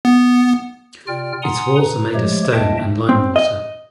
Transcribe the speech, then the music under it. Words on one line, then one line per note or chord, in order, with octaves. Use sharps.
Its walls are made of stone and lime mortar.
B3
C3 F4 D5 G5 F6
F#5 G#5 A#5 C6 D#6
B4 A#5
F3 G#3 A3 G4 C#5
D#2 D#5 E5 G5 A5
C4
D#5